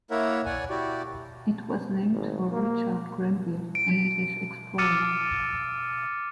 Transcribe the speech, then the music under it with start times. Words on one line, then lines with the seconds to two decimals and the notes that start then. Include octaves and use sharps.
It was named for Richard Grenville, an English explorer.
0.11 A#3 E4 A#4 C#5 E5 F#5
0.46 C#5 D5 F#5 G#5
0.69 E4 F#4 G4 D5
2.12 G#1
2.52 A#3
3.75 D7
4.78 D6 E6 F6 A6 C#7 D#7